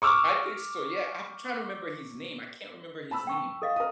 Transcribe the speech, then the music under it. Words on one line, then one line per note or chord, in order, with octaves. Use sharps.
I think so, yeah. I'm trying to remember his name, I can't remember his name.
C#6 D6 E6 F6
A5 B5 E6
G5 C#6
A4 D#5 F5
A#4 D#6